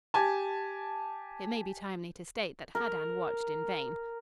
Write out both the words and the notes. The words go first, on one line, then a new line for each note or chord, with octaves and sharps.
It may be timely to state that Haddan watched in vain.
G4 G#5 A5
A#4